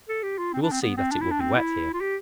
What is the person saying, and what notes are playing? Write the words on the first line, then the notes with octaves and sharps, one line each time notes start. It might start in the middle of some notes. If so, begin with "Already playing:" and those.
You will see that it will be wet here!
A4
G4
F4
C4
D4
C4
B3
C4
D4
E4
D4
C4
E4
F4
G4